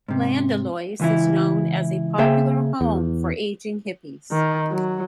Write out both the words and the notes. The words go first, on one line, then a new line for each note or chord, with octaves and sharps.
Llanidloes is known as a popular home for ageing hippies.
G#2 C3
C#2 E3 E4
C#3 A#3 G#4 C5 E5 G5
E2
D#3
F#3